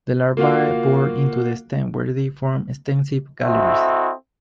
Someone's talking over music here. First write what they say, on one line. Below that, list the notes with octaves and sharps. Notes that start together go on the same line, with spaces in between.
The larvae bore into the stem where they form extensive galleries.
A#3 F4 F#4 F5
C4 E4 F#4 A4 D#5 E5